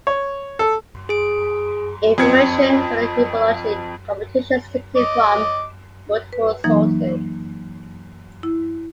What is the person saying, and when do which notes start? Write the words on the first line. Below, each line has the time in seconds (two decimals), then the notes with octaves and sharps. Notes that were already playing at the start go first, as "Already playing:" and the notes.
Information for the hippology competitions is taken from multiple sources.
0.07 C#5
0.59 A4
1.09 G#4 D7
2.18 F2 C4 G#6 C#7
4.96 D#5 D6
6.33 B4
6.64 E3 F#3 A#3 D#4
8.43 E4